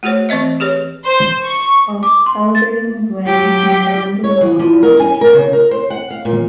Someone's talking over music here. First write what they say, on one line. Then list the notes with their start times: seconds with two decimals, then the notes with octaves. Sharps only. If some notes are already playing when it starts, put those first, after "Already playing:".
Whilst celebrating his win, he fell into the moat around the track.
0.03 A3 F#4 G#4 C5 C#5
0.29 E3 C4 C5 D#5 E5
0.60 G4 G#4 B4 C#5
1.05 C5
1.43 C#6
2.03 D6
2.26 C6
2.55 A6
3.25 F#3 G4
4.24 C#5
4.41 E3
4.59 F3
4.83 A#4
5.00 G#5
5.21 A#4
5.34 C#3
5.53 A#4
5.71 C5
5.90 F#5
6.10 F5
6.25 A#2